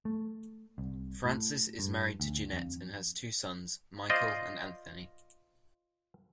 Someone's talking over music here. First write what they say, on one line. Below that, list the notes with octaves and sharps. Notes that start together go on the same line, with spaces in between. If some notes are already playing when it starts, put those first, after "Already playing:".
Francis is married to Ginette and has two sons, Michael and Anthony.
A3
C2
A2
G2
D2
F2
F4 C5 D5 D#5